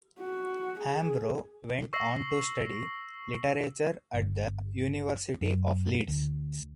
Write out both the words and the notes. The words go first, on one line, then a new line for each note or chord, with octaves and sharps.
Hambro went on to study literature at the University of Leeds.
F#4
G#4
C#6 E6 A#6 C7 F#7
G1
F#2
D2